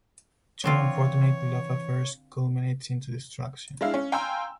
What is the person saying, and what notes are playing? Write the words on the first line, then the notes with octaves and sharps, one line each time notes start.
Two unfortunate love affairs culminates into destruction.
D3 E3 C4 F4 C#5
G#3 D4 E4 F5
C#4
F5 G5 G#5 A#5 C6 E6